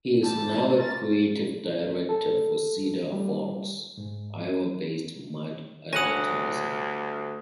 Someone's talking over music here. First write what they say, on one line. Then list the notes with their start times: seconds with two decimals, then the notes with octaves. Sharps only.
He is now a creative director for Cedar Falls, Iowa-based Mudd Advertising.
0.23 E2 G3 A5
0.47 C3 E3
0.78 C#4 F4 A#4 A6
2.09 A4
3.12 G3
3.97 G#2
5.93 D2 G2 C#5 F#5 G#5 D#6 F#6 A#6